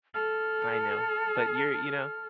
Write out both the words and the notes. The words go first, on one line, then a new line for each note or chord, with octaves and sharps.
I know. But you're you know?
A4 F6